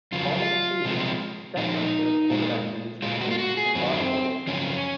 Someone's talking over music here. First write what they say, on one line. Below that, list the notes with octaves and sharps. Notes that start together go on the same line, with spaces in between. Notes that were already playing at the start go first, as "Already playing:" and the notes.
The following season, Detmer shared quarterback duties with Peete and Bobby Hoying.
F2 C#3 F#3 F4
C3 F3 G#3
A#2 F3 G#3 D#4
A#2 G#3
A#2 G#3 F4
F#4
F4
F#4
G#4
F#2 D#3 F#3 C4
F#2 C#3 F3 C#4